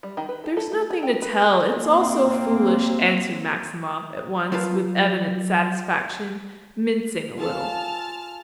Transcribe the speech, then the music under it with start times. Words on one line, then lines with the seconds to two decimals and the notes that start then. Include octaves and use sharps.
"There's nothing to tell, it's all so foolish," answered Maximov at once, with evident satisfaction, mincing a little.
0.03 G3
0.17 D#3
0.29 B4
0.44 A4
0.57 A4
0.72 A3
0.90 G#4
1.03 G5
1.22 B4
1.73 A#3 C4
4.52 F#3 F4 A#4 B4 F5 A5
7.38 F4 G#4 A4 A5 F6